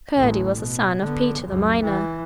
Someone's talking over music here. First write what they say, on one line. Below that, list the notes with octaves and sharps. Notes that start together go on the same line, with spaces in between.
Curdie was the son of Peter the miner.
A1 D2
B2
D3 B3
C#2 F#2
E3